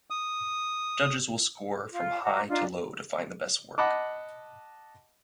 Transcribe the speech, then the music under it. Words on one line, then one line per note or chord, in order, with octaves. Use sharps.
Judges will score from high to low to find the best work.
D#6
F4
F#4 A#5 D6
D4 D#4 F4 D5
D#5 F#5 A5 B5 D6